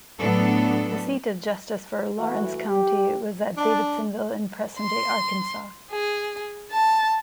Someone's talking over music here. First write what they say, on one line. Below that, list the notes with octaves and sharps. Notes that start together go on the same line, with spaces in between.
The seat of justice for Lawrence County was at Davidsonville in present-day Arkansas.
A2 F#3 B3 D4 A4
E3 A3 F#4
G4
D4
C6
G#4
A5